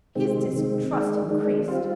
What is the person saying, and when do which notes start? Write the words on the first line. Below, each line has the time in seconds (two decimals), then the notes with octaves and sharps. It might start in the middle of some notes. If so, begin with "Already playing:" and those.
His distrust increased.
0.15 C3 D#3 G#3 C4
0.53 C3 D#3 G#3 C4
0.91 D#3 G#3 D4
1.29 D#3 G#3 D4
1.67 G3 C4 F4